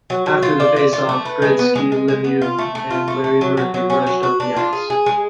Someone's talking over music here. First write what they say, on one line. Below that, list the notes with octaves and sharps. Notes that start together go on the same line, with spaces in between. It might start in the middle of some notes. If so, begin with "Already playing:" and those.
After the faceoff, Gretzky, Lemieux and Larry Murphy rushed up the ice.
F#3
F#3
F4
D5
D5
F4
A3
B4
G#3
B3
G#3
G#3
G#3
B3
F4
A3
A3
F4
A3
A3
F#3
F#3
F#3
C#4
F#3
F#4
D4
F4
G#4
G#4
G#3